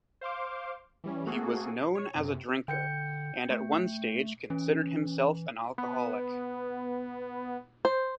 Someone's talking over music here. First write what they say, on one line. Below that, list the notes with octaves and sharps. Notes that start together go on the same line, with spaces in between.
He was known as a drinker, and at one stage considered himself an alcoholic.
C5 F5 C6 D6
E3 G3 C#4
A3 A#3 C4 F#4 G#4 A4
C#5
F#2 C3
D3 G5 G6 C#7
A3
E3 C#4
B3
C5